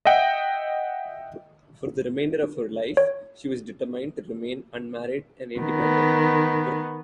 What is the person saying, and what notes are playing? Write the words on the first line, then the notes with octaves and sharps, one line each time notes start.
For the remainder of her life, she was determined to remain unmarried and independent.
D#5 E5 F#5 G5
C#5
D#3 B3